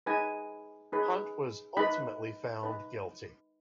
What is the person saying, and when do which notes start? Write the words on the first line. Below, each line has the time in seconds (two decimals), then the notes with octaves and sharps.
Hunt was ultimately found guilty.
0.06 D#4 G#4 B4 G#5
0.92 D#4 G#4 B4
1.77 D#4 B4 B5
2.63 D#4 B4